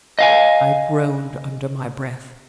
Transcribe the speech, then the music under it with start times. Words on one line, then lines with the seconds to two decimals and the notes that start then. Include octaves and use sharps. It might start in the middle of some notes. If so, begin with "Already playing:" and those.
I groaned under my breath.
0.19 D#5 F5 G#5